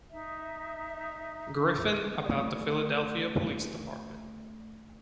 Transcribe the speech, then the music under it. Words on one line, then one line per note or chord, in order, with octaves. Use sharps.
Griffin about the Philadelphia Police Department.
D#4 E5
A3 D5